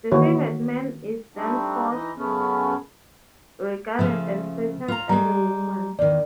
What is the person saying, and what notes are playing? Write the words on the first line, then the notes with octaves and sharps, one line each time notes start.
The favored man is thenceforth regarded and treated as a woman.
D#3 E3 A#3 F#4 C#5
G3 A3 C4 D4 D#4
E3 D#4 D#5
F#2 C#3 A3 B3 C#4
C#3 F3 A3
F4 A#5
G3 G#3 A#5
E2 D#3 D5